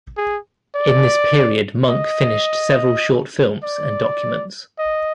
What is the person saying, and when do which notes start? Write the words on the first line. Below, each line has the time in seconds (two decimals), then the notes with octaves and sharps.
In this period Munk finished several short films and documents.
0.17 G#4
0.75 D5
1.90 D#5
3.63 D5
4.79 D#5